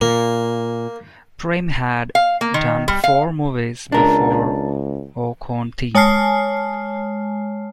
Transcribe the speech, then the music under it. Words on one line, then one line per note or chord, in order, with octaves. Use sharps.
Prem had done four movies before Woh Kaun Thi?
A#2 A#3
F5
A#3
D#3
G3
F5
C#2 D4 A#4
G#3 C#5 G#5 A5 F6 C7